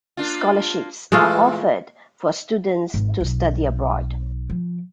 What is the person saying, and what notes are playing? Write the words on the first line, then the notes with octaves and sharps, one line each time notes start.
Scholarships are offered for students to study abroad.
A#3 D4 F4
A#2 E3 G#3 A3 F4
G#1
B1
F3